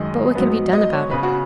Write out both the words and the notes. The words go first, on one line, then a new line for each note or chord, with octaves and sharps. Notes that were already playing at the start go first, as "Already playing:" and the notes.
But what can be done about it?
Already playing: F#2 D#3 G#3 D#5
G#2 F#3 B3
D#5
C#5
C#3 B3 B4
F#4